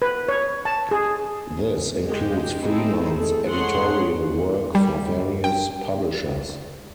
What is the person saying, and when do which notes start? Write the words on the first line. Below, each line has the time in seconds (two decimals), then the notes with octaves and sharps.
This includes freelance editorial work for various publishers.
0.02 B4
0.29 C#5
0.65 A5
0.91 G#4
2.04 G#3 G4
2.61 C4 D#4 E4 G#4 A4
3.16 G#4 A4
3.48 G#3 A3 G#4 C#5 F#5 C6
4.75 G3
5.44 G5